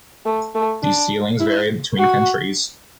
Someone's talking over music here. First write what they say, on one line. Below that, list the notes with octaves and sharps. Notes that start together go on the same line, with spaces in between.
These ceilings vary between countries.
A3
A3
D4
E4
F#4